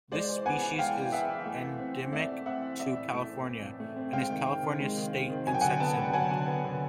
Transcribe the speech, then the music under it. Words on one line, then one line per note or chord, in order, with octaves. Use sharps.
This species is endemic to California, and is California's state insect symbol.
G#3 C5 D5
E3
B3 F#5 G#5
E3
G#3 F5 G5
E3
B3 E5 F#5
E3
A3
E3
C4
E3
A3 D5 E5
E3
C4 E5 F#5
E3
E3 D5 E5
A2
A3
C4
E3
A2
A3
C4
G#3 F5 G5
D#3
C4
D#3
G#3
D#3
C4
D#3
F#3 G#5
G5
D3 F#5 G#5
B3 G5 A5
D3
F#3 F#5 G#5
D3
B3
D3